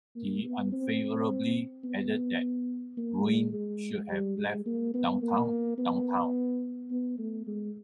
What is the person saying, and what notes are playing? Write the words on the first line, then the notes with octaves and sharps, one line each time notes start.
He unfavorably added that Gruen should have left downtown, downtown.
A#3
B3
C4
B3
A#3
G#3
G#3
G3
G#3
A#3
B3
A#3
B3
B3
A3
G#3